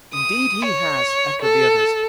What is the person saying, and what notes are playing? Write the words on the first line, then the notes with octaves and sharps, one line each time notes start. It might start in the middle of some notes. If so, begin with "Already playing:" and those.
'Indeed he has!' echoed the others.
D#6
C#5
A4